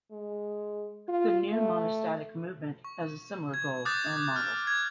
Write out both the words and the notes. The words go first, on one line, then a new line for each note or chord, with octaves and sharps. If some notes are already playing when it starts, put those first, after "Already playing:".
The New Monastic movement has a similar goal and model.
G#3
F4
A3
C#6
G#6
D6 D#6 F#6 G6 A6
F6
G#6